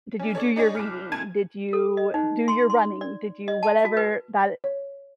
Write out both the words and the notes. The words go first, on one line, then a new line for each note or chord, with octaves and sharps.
did you do your reading? Did you do your running? Did you" whatever, that
C#4 D4
D4 G#4 A4 C#5
D4 D#4 G#4 C#5
C2 D6 F6
D2 A5 G#6 D#7
A4
D#5
D#4
C6
C6
D5
D#5
A5
F#4
B4
C#5